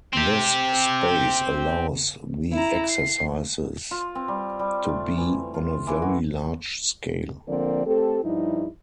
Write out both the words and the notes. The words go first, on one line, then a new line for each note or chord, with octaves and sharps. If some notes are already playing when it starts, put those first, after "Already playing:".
This space allows the exercises to be on a very large scale.
C4 G4
E4 A#5
C7
F4
C4
G3
G3
A3
E3
F4
E3
F#4
D3 F3 A#3 C4 A#4 D5
A3 C4 G4 A4
G2 F3 G3 D#4 E4